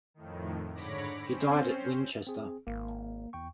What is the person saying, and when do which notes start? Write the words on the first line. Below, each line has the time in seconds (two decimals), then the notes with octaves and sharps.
He died at Winchester.
0.14 F2 A2 D#3
0.73 G#2 D3 C#5 B5 D6 A#6
1.21 C4 C#4 C5
2.27 C4 G#4
2.67 G#1 A#3
3.33 E2 G5 C#6